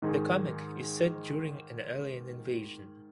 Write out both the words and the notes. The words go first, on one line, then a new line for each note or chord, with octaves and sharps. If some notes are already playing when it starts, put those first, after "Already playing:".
The comic is set during an alien invasion.
G#2 D#3 G#3 D#4 G#4